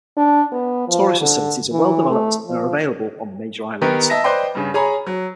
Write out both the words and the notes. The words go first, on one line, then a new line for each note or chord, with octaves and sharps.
Tourist facilities are well developed and are available on the major islands.
D4
B3
F3
D3
E3
A3
F3
D#3 B3 G4 A#4 B4
D#5 E5 A5 A#6
B4 C5 D5 D#5 G5 C6
G2 C#3
G#4 C#5 G#5 A#5 B5
F#3